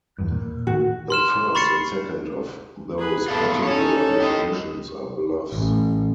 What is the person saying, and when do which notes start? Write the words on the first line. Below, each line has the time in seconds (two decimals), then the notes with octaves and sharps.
The first and second of those particular definitions are bluffs.
0.18 E2 G2
0.32 A#2
0.67 A2 D#3 F#4
1.10 C6 F6 E7
1.55 B5 C#6 A6 C7 C#7
2.98 G#4 B4
3.28 A3 B3 F4 A4
3.62 C#4 D#4 A4 C#5
4.20 G4 D#5
5.52 A1